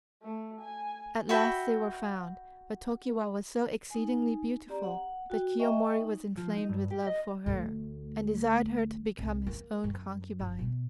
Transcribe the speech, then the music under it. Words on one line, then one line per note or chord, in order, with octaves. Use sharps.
At last they were found; but Tokiwa was so exceedingly beautiful that Kiyomori was inflamed with love for her, and desired her to become his own concubine.
A3
G#5
F#4 E5 G5 B5
D#4 G#5
C4 G4 D5 A#5
F#5
F#4 G5
D#5 E5 G5 G#5 C#6
D#4
F3
D#4
G2
G4
D#5
D2 A3
C2
A#3
F#2
F#1
B2